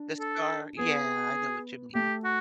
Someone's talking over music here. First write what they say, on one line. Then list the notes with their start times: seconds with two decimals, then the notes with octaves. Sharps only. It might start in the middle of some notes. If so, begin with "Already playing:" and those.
the star Yeah, I know what you mean.
Already playing: D4
0.20 A4
0.78 B3 G#4
1.94 A3 G4
2.24 F#4